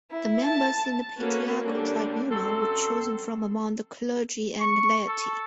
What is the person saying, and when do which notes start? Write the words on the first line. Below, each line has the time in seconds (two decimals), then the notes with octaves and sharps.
The members in the patriarchal tribunal were chosen from among the clergy and laity.
0.11 E4
0.44 A5
1.17 A#3 C#4 F#4 A4 B4
1.63 D3 G3 A#3 C#4 D4
2.31 F#2 C4 A4
4.60 C#6
5.08 A4